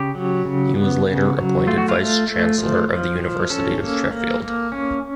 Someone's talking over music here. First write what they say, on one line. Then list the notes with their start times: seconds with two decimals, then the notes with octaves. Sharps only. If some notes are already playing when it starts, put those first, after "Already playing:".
He was later appointed Vice-Chancellor of the University of Sheffield.
Already playing: C#3 G4
0.15 F#3
0.45 C#3
0.76 B3
1.06 C#3
1.37 F#3
1.67 A3 F4
1.78 F#4
1.89 F4
1.98 A3
2.28 A3
2.58 F3
2.89 F3
3.19 F3
3.50 C#4 A4
3.80 A#3
4.11 A#3
4.42 A#3
4.72 C#4